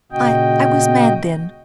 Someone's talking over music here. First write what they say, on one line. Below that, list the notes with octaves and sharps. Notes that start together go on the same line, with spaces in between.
I--I was mad then.
A#2 C#3 F#4 D#5 G5